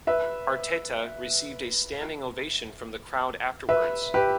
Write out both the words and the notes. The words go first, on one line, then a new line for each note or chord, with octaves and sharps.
Arteta received a standing ovation from the crowd afterwards.
B4 E5
B4 E5
G4 B4